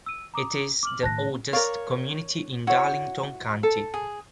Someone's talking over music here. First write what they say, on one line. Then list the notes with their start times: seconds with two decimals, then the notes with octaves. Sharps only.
It is the oldest community in Darlington County.
0.06 E6 D#7
0.34 A#5 D6 D#6
0.83 D6 F6 F#7
1.03 A2 D#3 A5 F#6 A#6
1.53 A#4 C#5 D5 F5
2.67 E4 F#4 C#5
3.63 A4
3.94 G#4